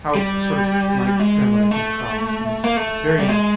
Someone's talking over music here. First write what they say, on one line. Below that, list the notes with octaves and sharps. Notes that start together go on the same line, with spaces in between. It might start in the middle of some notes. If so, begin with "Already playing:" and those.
how, sort of, my grandmother came across, and it's very
G3
G#3
A3
A#3
A3
G3
G#3